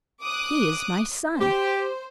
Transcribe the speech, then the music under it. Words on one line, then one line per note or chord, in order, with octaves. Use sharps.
He is my son.
D6 D#6 F#6
G4 C5